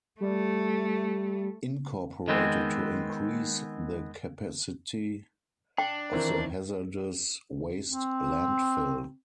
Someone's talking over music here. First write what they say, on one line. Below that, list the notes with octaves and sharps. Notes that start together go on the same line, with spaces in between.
Incorporated to increase the capacity of the hazardous waste landfill.
G3 A3
D#3 G#3 B3 C4
D4 G5
D#3 E3 C4 A#4
C4